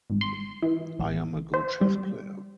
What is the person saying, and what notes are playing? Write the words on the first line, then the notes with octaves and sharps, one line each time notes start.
I am a good chess player.
G#1
C6
E3
A1
C5
G3